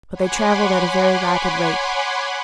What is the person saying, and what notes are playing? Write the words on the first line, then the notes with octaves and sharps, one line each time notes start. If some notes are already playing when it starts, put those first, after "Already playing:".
But they travelled at a very rapid rate.
C#5 F#5 G#5 B5 C6 D6